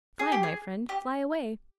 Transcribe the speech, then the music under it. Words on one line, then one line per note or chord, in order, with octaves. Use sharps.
Fly, my friend; fly away.
G#4
G4
G#4
G4